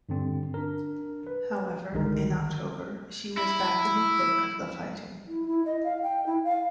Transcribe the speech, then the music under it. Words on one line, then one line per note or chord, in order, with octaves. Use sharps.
However, in October, she was back in the thick of the fighting.
G2 D3 C4
D4 A#4
B4
G1 C2 D3 D#3 G#3 A#4
E4
E4
E4
D#5
F5
G5
E4
F5